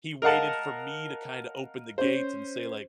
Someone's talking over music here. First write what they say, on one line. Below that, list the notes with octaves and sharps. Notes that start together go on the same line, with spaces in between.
he waited for me to kinda open the gates and say, like,
A#4 D#5 F5 F#5 A5
C#4 C5